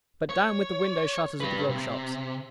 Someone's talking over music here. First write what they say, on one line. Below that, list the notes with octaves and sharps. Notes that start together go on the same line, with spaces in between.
But down with the window-shutters of the grog shops.
C#5
G3 B4
C3